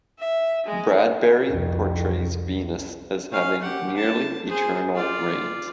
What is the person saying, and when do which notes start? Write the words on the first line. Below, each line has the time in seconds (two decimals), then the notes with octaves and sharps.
Bradbury portrays Venus as having nearly eternal rains.
0.20 E5
0.66 G#3
1.48 C2 F2
3.32 C#4 F5
3.61 G4 F#5
3.96 A5
4.48 G#4 C5
4.95 F4 D5